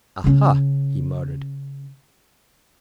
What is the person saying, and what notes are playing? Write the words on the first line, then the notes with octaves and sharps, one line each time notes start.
"Aha!" he muttered.
C#3 C#4